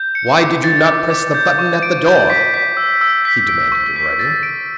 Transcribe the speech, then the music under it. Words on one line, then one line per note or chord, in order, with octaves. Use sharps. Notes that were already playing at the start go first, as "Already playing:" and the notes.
"Why did you not press the button at the door?" he demanded in writing.
Already playing: G6
C#7
D6
A6
D6
D6
G6
C#6
D7
G6
B6
B6
E6
E6
B6
D7
C#6
B6
A6
D7